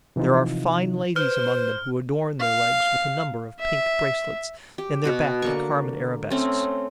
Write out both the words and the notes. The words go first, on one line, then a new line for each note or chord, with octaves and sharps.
There are fine ladies among them who adorn their legs with a number of pink bracelets and their back with carmine arabesques.
C3 E3 F3 D#4 F4
B4 C5 F6
F5
E5
G4
B2 F#4 B5
D3 A#3 C#6
A3 C4 C#4